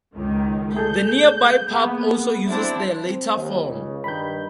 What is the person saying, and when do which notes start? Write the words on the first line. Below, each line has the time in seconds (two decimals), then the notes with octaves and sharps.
The nearby pub also uses the latter form.
0.15 C#2 D#3
0.74 A3 G#4 A4 G6
1.72 A#3 B3 G#4 F#5 B5
2.48 C4 D4 E4
3.05 C4
3.36 D#2
3.67 C#2 C#3
4.04 G2 D#3 B5 G6